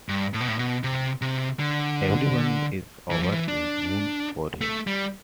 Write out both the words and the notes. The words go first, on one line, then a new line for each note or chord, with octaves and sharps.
Everyone is over the moon for him.
G2
A2
B2
A2
B2
C3
C3
D3
E3
F3
E3
D4
A3
G3